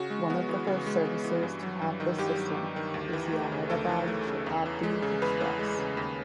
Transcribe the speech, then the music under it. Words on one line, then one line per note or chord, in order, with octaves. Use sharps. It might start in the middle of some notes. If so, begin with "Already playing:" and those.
One of the first services to have this system is the Ahmedabad Shatabdi Express.
Already playing: C#3 F#4
G#3
B3
E3
C#3
G#3
B3
E3
G2
F#3
G2
D#3
G2 G4
F#3
G2
D#3
D2
E3
A3
C#3
D2 A4
E3
A3
C#3
E2
E3
G#3
C#3
E2 B4
E3
G#3
C#3
D#2